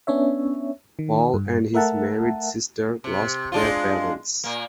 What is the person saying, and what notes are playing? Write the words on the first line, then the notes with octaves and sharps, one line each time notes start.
Paul and his married sister lost their parents.
B3 C#4 D4 C#5 E5
D#3
G2
A3 A#4 E5 F#5 A5
C3
G#3 D4 F4
A#2 A#3